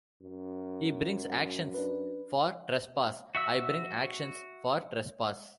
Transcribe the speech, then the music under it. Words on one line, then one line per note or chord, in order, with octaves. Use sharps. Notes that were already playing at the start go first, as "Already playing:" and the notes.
He brings actions for trespass; I bring actions for trespass.
F#2
D4 B4
F#4 E5 E6